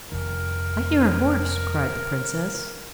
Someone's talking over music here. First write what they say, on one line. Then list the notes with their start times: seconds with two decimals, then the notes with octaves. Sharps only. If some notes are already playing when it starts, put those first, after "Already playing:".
'I hear a horse,' cried the princess.
0.12 F1 F2 D#3 A#4